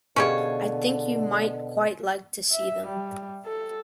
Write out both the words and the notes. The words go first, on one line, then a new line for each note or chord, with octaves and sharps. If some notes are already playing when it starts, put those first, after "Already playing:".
I think you might quite like to see them.
B2 D3 C#4 G4 G#4 C#5 F5
E5
G3
A4